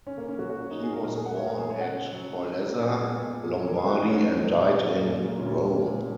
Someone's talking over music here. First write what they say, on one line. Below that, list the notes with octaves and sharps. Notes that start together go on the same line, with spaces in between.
He was born at Porlezza, Lombardy and died in Rome.
C#4
C#3 A#3
C#4
F#3 F#4
F#4
C#3
D#4
F#3 G#4
A#4
A#2 A#4
G#4
G#3 F#5
C#5
A#2 A#4
G#4
G#3 C#5
F#5
C#3
F#3
C#3
F#3
A#2
G#3
A#2
G#3
C#5
C#3 A#4
G#4
F#3 F#4
D#4
C#3 C#4
F#3
A#2
F#3
A#2 A#3
A#3
F#3 G#3
A#3
A#2 C#4
G#3
A#2